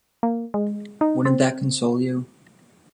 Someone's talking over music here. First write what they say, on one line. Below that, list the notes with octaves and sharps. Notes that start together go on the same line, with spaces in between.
Wouldn't that console you?
A#3
G#3
D#4
C4